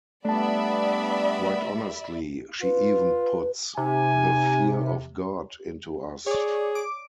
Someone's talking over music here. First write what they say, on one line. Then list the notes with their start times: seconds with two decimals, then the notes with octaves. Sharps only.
Quite honestly, she even puts the fear of God into us.
0.25 G3 A3 B3 D4 D5 E5 A5 B5
2.62 F4 B4
3.77 C3 D#4 G#5
6.27 G#4 C#5 D5
6.75 D6